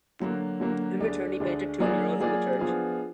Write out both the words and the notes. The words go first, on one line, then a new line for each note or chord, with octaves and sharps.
In return he painted two murals in the church.
D3 F#3 A#3
D3 F#3 A#3
D2 D3 G#3 D4
D2 D3 G#3 D4
F#3 A#3 F4 G#4 D5
F#3 A#3 F4 G#4 D5
F3 B3 D4 F4 G#4